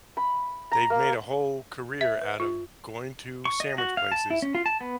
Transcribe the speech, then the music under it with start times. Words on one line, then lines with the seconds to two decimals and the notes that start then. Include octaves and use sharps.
they've made a whole career out of going to sandwich places,
0.17 B5
0.72 A#5
0.90 A#3
2.01 E5
2.22 B4
2.40 F4
3.45 C#6
3.60 D#5
3.78 F#4
3.97 F5
4.12 A5
4.30 E4
4.42 C#4
4.55 F4
4.66 A5
4.81 B3